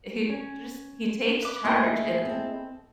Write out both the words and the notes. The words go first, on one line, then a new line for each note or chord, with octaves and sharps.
he just he takes charge, and
C#4
B4 D6
A3 A#3 E4 G#4 A#4 D#5 G5
C4 A4